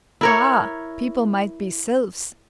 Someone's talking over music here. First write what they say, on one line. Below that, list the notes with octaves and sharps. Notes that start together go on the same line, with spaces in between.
Ah! people might be sylphs.
E4 A#4 C#5